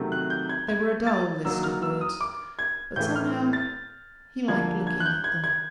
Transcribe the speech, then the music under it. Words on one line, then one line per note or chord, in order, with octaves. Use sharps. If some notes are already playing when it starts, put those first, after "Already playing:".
They were a dull list of words, but somehow he liked looking at them.
Already playing: C3 D#3 F#3 A3
F#6
G6
G#6
G#6
A6
F#3 A#3 D#4 E6
F6
E6
D#6
D6
G#6
A2 E3 A3 G6
F6
A6
D3 F3 A#3 D4 G#6
G#6
F#6
G6
G#6
G#6